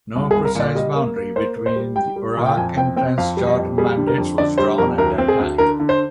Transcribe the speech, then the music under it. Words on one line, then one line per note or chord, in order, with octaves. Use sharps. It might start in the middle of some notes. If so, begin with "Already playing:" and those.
No precise boundary between the Iraq and Transjordan mandates was drawn at that time.
C2
G#4
C2
A#4
A#2 D5
G3 D#5
A#3
A#3
A#3 C5
A#3
C5
G3
G3 G5
G3
A#2
G5
F2 G#5
C4 G5
C4 G5
F2 F5
G3
D#5
F2
G3 G#4
D3
A#4
F2
D3 D5
G3 C5
F2 A#4
D2 A#4
C4
G#4
D2
D3 A#4
D3
C5